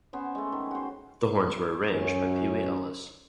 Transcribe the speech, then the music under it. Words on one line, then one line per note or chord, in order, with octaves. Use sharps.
The horns were arranged by Pee Wee Ellis.
B3 C#4 C5
G#3 A3
D#3
F#4 C5
C#2 F#2 C#4